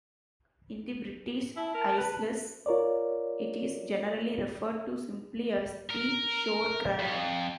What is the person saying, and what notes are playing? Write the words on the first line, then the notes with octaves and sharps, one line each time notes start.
In the British Isles, it is generally referred to simply as the "shore crab".
E4 A5
A#4
B4
F4 A#4 C#5 D5
A#4
F2